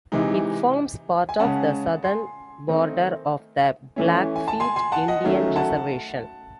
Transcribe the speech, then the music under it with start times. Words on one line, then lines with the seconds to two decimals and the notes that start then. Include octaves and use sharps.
It forms part of the southern border of the Blackfeet Indian Reservation.
0.12 C3 E3 G#3 D#4
1.29 G#5
1.39 C#3 G#3 C#4 F#5 A5
2.04 G#5 C6
2.68 D#3 A3 C4 D#4
3.96 E3 A3 C#4
4.36 G#5
4.48 A5
4.60 G#5 C6
4.76 G#5 C6
4.92 F#5 A5
5.08 D#5 F#5
5.24 D#3 F#3 A3 C#4
5.56 F#5 A5